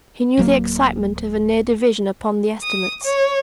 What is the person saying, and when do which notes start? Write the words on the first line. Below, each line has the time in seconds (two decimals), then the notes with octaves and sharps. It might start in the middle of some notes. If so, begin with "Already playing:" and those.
He knew the excitement of a near division upon the estimates.
0.37 D1 F#3 A#3
2.63 D#6
3.04 C#5